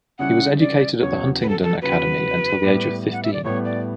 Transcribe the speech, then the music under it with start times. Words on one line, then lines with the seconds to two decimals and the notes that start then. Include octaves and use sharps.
He was educated at the Huntingdon Academy until the age of fifteen.
0.19 C#3 G3 C#4 E4 F#5
0.60 D5
1.00 E2 C#3 F#3 C#5
1.41 B4
1.49 A4
1.63 A4
1.82 E2 C#3 F#3 B4
2.63 A2 G3 B3
3.12 F#5
3.23 E5
3.33 D5
3.44 A2 G3 B3 C#5
3.65 D5